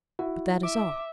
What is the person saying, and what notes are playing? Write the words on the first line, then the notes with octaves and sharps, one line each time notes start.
But that is all.
E4 F#4
E5 D6